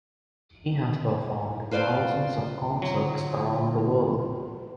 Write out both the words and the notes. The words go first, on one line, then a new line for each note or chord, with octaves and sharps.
He has performed thousands of concerts around the world.
F4 B4 C5 D5 F5
D3 F#3 F4